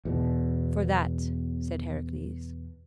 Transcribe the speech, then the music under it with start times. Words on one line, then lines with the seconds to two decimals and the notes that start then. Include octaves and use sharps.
"For that," said Heracles.
0.05 E2 B2